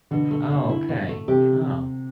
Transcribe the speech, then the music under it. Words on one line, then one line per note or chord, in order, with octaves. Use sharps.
Oh, okay. Oh,
B2 D3
A3
B2
E4
B2
A3
C3 G4